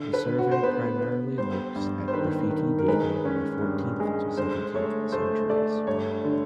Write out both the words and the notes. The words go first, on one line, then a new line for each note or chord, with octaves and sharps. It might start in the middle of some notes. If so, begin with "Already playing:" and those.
The survey primarily looks at graffiti dating from the fourteenth to seventeenth centuries.
Already playing: D3
B4
D3
F#4
C5
B3 B4
B3
G3 C5
G2
C5
D#3 B4
D#3
A#4
G#3 B4
C#4
G2
G#3
D3 C5
A3 C#5
A3 C5
A3 D5
G2 C#5
D3